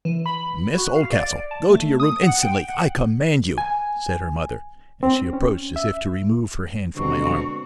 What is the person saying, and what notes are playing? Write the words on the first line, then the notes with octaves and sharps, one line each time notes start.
"Miss Oldcastle, go to your room instantly, I COMMAND you," said her mother; and she approached as if to remove her hand from my arm.
E3
B5
F#4
F5
D5
A5
A3
D#6
F#5
G5
F#5
G#5
C4
C#4
E5
G2 B2 D3 G#3 C4 F#4 A#5 C#6